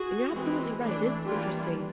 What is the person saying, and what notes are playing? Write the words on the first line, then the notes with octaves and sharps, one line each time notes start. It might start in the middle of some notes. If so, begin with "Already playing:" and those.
and you're absolutely right, it is interesting.
Already playing: F#4 G#4
E3 G#3 C4
E3 A3 D4
E3 G3 A#3 D4 F4 G4